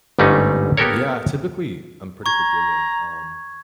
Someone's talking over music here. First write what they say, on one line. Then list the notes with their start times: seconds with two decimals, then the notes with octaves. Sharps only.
Yeah, typically, I'm pretty forgiving, um,
0.19 G1 G#2 G3 A3 C#4 D#4
0.77 A#3 B3 G4 A4 A#4 C#5
2.26 A#5 C#6 G#6